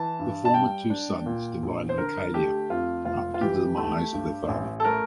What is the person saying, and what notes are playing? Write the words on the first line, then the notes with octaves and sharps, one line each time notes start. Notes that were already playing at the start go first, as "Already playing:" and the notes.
The former two sons divided Arcadia after the demise of their father.
Already playing: E3 A5
G2
A5
G3 G5
D4
A#2
A#1
C5
D3 A#4
A3 G4
F2 F4
F1 F4
F4
E3 G4
A3
G2
A1
A4
A3 A#4